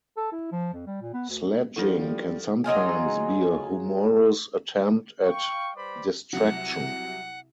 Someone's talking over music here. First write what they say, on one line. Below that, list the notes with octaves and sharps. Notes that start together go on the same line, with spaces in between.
Sledging can sometimes be a humorous attempt at distraction.
A4
E4
F3
F2
G3
A#2
B3
D2
F3 G3 D4 E4 F#4 A4
F#3 D#4 F4 G#4
F5 G5 C#6
G3 B4 C5 D5 B5 D6
C2 C3 F#3 F#5